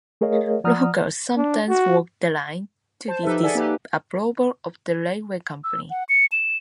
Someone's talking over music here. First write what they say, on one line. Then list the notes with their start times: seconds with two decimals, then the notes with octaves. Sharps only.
Locals sometimes walk the line, to the disapproval of the railway company.
0.21 A3 G#4 A#4 C#5 D#5 F5
0.64 F3 D5 F#5 A#5 D#6 F6
1.37 D4
1.69 F#4
3.08 C5 A5
3.23 F3 D#4 G4 A4 B4 E5
3.43 G#4 A4 D5 E5 F#5 G#5
3.55 A#3 D#4 G4 A4 B4
5.64 E6
5.90 F#5
6.09 C#7
6.32 E7